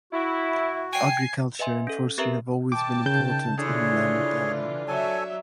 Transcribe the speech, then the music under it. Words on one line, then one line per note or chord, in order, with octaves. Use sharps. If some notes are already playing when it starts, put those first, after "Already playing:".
Agriculture and forestry have always been important in Namdalen.
E4 F#4
G5 G#5 C7
B4 D#5 E5 G#5 C6
C#4 A4
C4 G4 A#4 B4 E5 A#5
D#3 G5 A5 D6
C#3 G6
D3 E3 F4 G#4 C#5
F#3 A4 C#5 E5 G#5